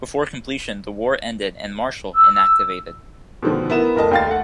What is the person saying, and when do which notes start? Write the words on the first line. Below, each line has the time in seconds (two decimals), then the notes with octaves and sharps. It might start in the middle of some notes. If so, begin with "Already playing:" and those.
Before completion, the war ended and "Marshall" inactivated.
2.15 E6
3.43 B2 D3 D#3 F3
3.70 B3 E4 A#4 E7
3.96 F1 A#4 D#5 A5
4.11 D#2 F5 A6
4.27 A3 F#5